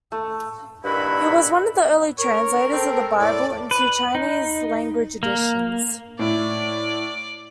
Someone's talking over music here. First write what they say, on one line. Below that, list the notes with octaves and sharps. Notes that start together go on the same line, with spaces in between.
He was one of the early translators of the Bible into Chinese language editions.
A3
G2 A#2 D#3 E4 F#4 B5
A#4 C#5
C4 A4
A2 D5
B4
D#4
A#3
A2 E4 D5